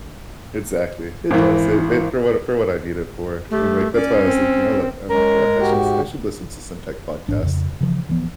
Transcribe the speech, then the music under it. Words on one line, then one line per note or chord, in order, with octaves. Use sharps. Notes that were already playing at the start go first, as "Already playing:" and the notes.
exactly. It does, it it for what for what I need it for, and, like, that's why I was thinking, "Oh, like" I'm like, "Oh, I should I should listen to some tech podcasts."
G#1 E3
A3 G4
C#4 D5
C4
G#3 C#4 A#4
G#2 F#4 G4
A1 G#2 D4
F2 C#3
C#3 E3 F3
D1 E3 F3 B3